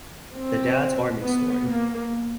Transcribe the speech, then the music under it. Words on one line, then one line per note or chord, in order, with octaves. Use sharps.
The Dad's Army Story.
C4
B3
A#3